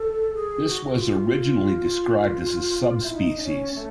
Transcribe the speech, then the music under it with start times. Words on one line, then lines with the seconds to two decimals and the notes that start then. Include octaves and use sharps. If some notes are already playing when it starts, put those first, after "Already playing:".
This was originally described as a subspecies.
Already playing: A4
0.35 G#4
0.65 F#4
0.96 F4
3.03 E4
3.13 D#4
3.37 D4
3.44 C#4
3.75 A3